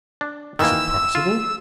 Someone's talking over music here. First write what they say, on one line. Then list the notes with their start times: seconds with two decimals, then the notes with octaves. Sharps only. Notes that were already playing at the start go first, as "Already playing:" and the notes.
"Is it possible?"
0.21 D4
0.59 D#3 E3 A#3 E6
1.15 F4